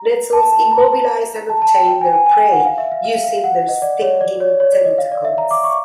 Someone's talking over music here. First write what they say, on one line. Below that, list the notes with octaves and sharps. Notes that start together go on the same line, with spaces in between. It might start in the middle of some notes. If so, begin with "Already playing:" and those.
Nettles immobilize and obtain their prey using their stinging tentacles.
Already playing: A#5
A5
A5
A#5
A5
A5
G5
G5
G#5
G#5
G#5
G#5
F#5
F5
E5
F5
F5
F5
F#5
D#5
D5
C#5
D5
C#5
C#5
D5
D#5
F5
D5
E5
A#5
D6
C#6